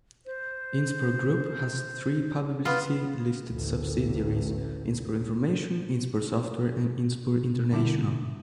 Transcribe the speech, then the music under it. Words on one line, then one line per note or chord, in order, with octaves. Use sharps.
Inspur Group has three publicly listed subsidiaries: Inspur Information, Inspur Software and Inspur International.
C5
B3 F4
A1 D2
B2 D3 G3 E4